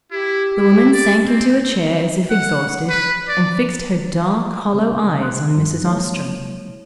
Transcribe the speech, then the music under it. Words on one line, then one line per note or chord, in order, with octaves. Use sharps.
The woman sank into a chair as if exhausted, and fixed her dark hollow eyes on Mrs. Ostrom.
E4 G4
E4
D5
C4
F#5
B4
D5
C#3 C4
C4 C6 F#6
G2 F3
F#3 G#3 A#3 E4 C#5